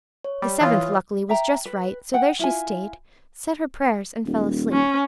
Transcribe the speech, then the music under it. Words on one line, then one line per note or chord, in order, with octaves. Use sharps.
The seventh, luckily, was just right; so there she stayed, said her prayers, and fell asleep.
C#5
G3
E3 F4 C#5 D#6
E5 G5 A#5
B4
F#5 G5
E4 F4 G#5
D#1
C#4